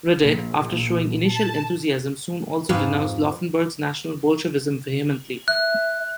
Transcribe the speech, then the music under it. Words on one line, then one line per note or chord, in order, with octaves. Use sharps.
Radek, after showing initial enthusiasm, soon also denounced Laufenberg's National Bolshevism vehemently.
A#1
A5
F2 G#2 F3 B4 F5 G#5
E5 F#6